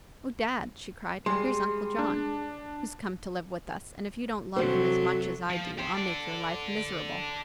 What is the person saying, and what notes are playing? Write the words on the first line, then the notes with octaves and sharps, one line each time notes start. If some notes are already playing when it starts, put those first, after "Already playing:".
"Oh, Dad," she cried, "here's Uncle John, who has come to live with us; and if you don't love him as much as I do I'll make your life miserable!"
G3 G#3 C6
D4
C3 F#3 F#4 A4 C5
F3
G4 C5
A4 D5